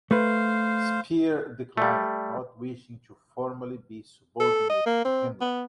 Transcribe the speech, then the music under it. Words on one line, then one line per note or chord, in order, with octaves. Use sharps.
Speer declined, not wishing to formally be subordinate to Himmler.
A3 B4 C5 F5
G3 A3
A4
D#5
A#3
C4
B3